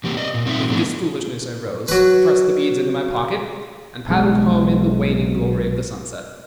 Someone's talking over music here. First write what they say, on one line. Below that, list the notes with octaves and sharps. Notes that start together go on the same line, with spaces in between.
With this foolishness I rose, thrust the beads into my pocket, and paddled home in the waning glory of the sunset.
E2 C3 A#3 G4
D5 D#5
A#2
G2 C4 D#4 F4 E5
A2 F3 B3 D4 G#4
F#3 B4
B1 G#3